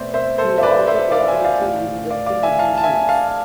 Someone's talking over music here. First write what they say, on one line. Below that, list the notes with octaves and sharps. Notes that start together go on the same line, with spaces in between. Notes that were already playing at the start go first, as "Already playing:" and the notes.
He also collaborated with Western musicians.
Already playing: B2 A3 C4 B4 C5 D5 E5
C5 E5
A4 C5
E5
B4 D5
C5 E5
D5 F5
E5 G#5
D5 F5
A2 F3 A3
D5 F5
D5 F5
E5 G#5
F5 A5
A5
E5 G#5
F5 A5